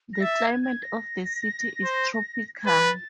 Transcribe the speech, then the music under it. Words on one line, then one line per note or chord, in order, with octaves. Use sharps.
The climate of the city is tropical.
A#6
E5 A6
G#6
G#6
A#6
C5
G#6
B4 A6